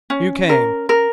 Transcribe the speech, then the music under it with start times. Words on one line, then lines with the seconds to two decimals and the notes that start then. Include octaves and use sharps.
You came.
0.10 C#4
0.49 A#4
0.89 A#4